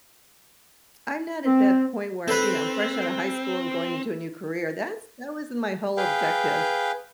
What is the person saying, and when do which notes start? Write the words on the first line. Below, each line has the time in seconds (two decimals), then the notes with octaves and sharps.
I'm not at that point where, you know, I'm fresh out of high school and going into a new career. That's that wasn't my whole objective,
1.45 C4
2.28 C4 A4 B4
5.97 G#4 B4 F5 G5